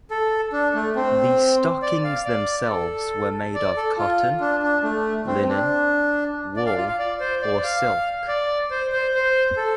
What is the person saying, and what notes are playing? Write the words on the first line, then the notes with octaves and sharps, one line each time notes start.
The stockings themselves were made of cotton, linen, wool or silk.
A4
D4
A3
C4
D5
F5
D5
A4
D5
A4
F4
D4
D4
A3
C4
D4
D5
F5
F4
F5
D5
C5
D5
F5
D5
C5
C5
C5
A4